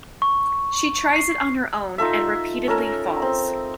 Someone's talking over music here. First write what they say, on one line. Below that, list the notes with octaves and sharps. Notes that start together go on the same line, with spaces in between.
She tries it on her own and repeatedly falls.
C#6
C7
D#4 F4 A4 E5
C#4 A4 A#4
C4